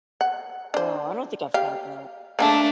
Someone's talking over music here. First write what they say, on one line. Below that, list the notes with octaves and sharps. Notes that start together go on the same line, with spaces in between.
Oh, I don't think I've had that.
F#5
D4 C5
G4 F5
A3 A#3 D4 G#4 A4